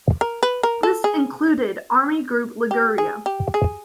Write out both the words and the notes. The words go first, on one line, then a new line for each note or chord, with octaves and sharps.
This included Army Group Liguria.
A#4
B4
A#4
A4
G#4
G4
G#4
G4
G#4